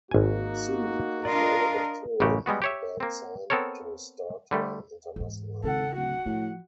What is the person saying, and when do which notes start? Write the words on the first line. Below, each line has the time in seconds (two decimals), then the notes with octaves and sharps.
Soon, after a lot of touring, the band signed to Startime International.
0.11 G#1 A#3 D#4 F#4 G#5
1.25 D4 F4 A#4 D5 D#5
2.20 A1 F#2 C#3 F#4 G4
2.46 G3 G#3 B3 F#4
2.62 G4 C#5 E5
3.00 A#3 C4
3.50 B3 C4 A4 A#4 C#5
4.51 D3 G3 A3
5.16 E2 G#2
5.64 G#1 C#3 A4 F#5
5.95 D1 F#4 F#5
6.26 A2 F3